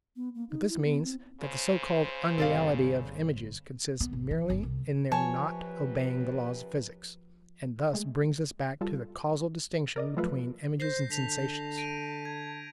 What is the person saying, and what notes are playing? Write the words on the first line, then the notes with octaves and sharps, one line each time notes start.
But this means that the so-called "unreality" of images consists merely in their not obeying the laws of physics, and thus brings us back to the causal distinction between images and sensations.
B3
A#3
D#4
E4
B3
C4
C#3 C5
G1 C3 A4 D5 F5
B3
G#1
E3
G1
C2
F#2 F3 G4 B4 C#5 G#5 A5
G#3 A3
G3 F4 A4
A#4 D5 D#5
F3 F#3 A3 F4 A4 B4
C5 G6 A#6 C7
D3 A5 B6 F7
A#6 D7 D#7
G#6